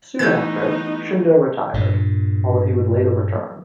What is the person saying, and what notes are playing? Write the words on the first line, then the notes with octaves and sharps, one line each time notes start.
Soon after, Shundo retired, although he would later return.
E3 G3 A3 B3 D#4 G6 G#6
G2 A#2